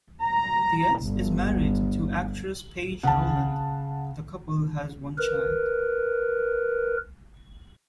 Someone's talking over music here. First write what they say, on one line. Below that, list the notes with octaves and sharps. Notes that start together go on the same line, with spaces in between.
Dietz is married to actress Paige Rowland; the couple has one child.
A#5
G1
C#3 F#5 A5
A#4 B4